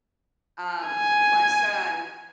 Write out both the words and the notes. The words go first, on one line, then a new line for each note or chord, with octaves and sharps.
um, my son,
G#5